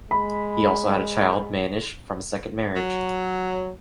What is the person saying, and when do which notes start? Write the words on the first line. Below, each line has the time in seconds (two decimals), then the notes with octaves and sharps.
He also has a child, Manish, from a second marriage.
0.11 G#3 B5
2.75 F#3